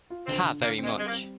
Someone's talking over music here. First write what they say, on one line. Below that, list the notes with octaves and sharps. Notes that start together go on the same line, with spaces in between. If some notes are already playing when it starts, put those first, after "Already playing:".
Ta very much.
F4
D3 C4
D3
D3 A#3
C4
G#3
G3 G#3
A#3
C4